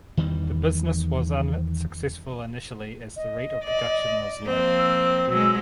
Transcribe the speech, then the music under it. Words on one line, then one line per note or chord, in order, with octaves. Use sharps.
The business was unsuccessful initially as the rate of production was low.
E2 D#3 E3 G3
D#5
D5
F3 A#3 C4
E6
B2 F#3 G#3 E6